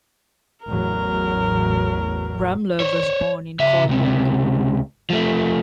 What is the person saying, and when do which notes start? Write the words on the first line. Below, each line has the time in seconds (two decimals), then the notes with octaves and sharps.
Ramler was born in Kolberg.
0.66 A1 E2 F#3 A#4
2.80 C5 C#5
3.60 C#3 E5
3.89 C#2 C3
5.10 F3 A3